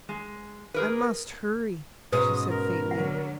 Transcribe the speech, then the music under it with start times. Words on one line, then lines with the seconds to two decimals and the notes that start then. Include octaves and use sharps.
"I must hurry," she said faintly.
0.09 G#3
0.74 G#4 A#4 B4
2.13 G#2 B2 C#4 B4 D#6
2.50 A#4
2.91 D3 F#3 F#5